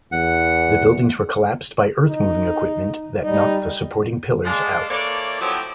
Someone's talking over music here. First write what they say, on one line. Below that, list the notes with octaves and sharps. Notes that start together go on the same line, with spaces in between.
The buildings were collapsed by earthmoving equipment that knocked the supporting pillars out.
E2 F#5
D#4
G3 D#4
G#3 D4 F5
E3 A#3 A4 C#5 D5
F3 F#3 A3 C4 E4 G4